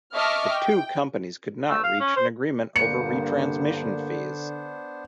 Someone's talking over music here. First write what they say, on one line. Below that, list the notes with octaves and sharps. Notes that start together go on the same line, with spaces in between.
The two companies could not reach an agreement over retransmission fees.
D#5 E5 A5 C#6 D6 F6
G5
A3
F5
C#4
C5
G2 D3 A#3 B3 D4 C5 C#7